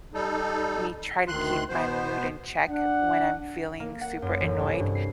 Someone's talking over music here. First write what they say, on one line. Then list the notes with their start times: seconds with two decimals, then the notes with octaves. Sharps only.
me try to keep my mood in check when I'm feeling super annoyed,
0.14 G3 D#4 A4
1.28 D2 D#3 C6 F#6
1.69 B2 B3 C5
2.69 D4 F#5
3.80 A#3
4.01 F#5
4.22 F#2
4.40 A1
4.59 C2
4.80 G2
4.95 C7